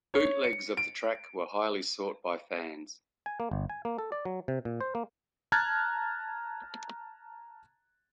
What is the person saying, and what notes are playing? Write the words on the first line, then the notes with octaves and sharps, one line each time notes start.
Bootlegs of the track were highly sought by fans.
C#5
C#7
D7
G#5
A#3
G1
G#5
A#3
A4
D5
F#3
C3
A#2
C5
A#3
A5 A#5 F6 F#6 G#6 A6